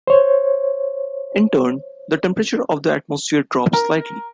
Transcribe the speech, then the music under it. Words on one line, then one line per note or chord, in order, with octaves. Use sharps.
In turn, the temperature of the atmosphere drops slightly.
C5 C#5
A#4